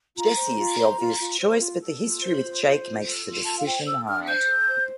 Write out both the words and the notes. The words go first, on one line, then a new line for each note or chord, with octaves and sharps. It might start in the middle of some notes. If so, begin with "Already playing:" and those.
Jesse is the obvious choice, but the history with Jake makes the decision hard.
F4 A#5
C5
F4
C5
F4
F4
C5
F4
A4
F4
C5
F4
C5
F4
A4
F4
A4 A5
F5
C5 G5
A4 E6
D4 F6
C5 G6
A4
C5